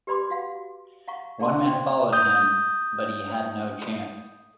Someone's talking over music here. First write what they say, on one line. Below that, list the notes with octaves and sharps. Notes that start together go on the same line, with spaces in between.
One man followed him, but he had no chance.
G4 B4 D5 B5 C6 D6
F#4 F5 F#5
F5 F#5 A#5 C#6
D4 G#4 A4 A5 C6
C5 D5 G5 C6
D#6 G6